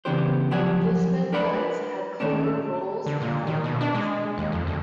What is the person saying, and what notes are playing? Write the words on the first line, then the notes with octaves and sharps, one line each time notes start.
This meant knights had clearer roles and protocols.
C#3 E3 B3 D4 G4 C5
F3 F#3 G4 D5 F#5 G#5
D4 A#4 B4 D5 F#5 B5
A#2 D#3 A3 C#4 D4
D3
A#2
D#3
B2
D4
G#3
D#2
F2
D2